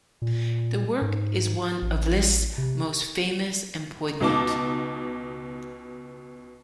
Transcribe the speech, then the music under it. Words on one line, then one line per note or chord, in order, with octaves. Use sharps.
The work is one of Liszt's most famous and poignant.
A#2
G#2
A1
C3
C#2 B2 D#4 A5 D6